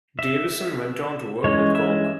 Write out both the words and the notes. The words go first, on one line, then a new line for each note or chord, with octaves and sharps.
Davison went on to work with Gong.
E5
E3 G#3 C#4 C#5
E5